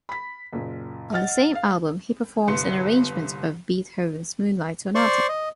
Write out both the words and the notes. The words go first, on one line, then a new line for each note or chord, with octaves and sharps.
On the same album, he performs an arrangement of Beethoven's Moonlight Sonata.
B5 B6
F#1 A#2
D#5 F#5 F6 A6
F5
G1 C2 B4 C6 C#7
C5 D5 C6 C#6
D#5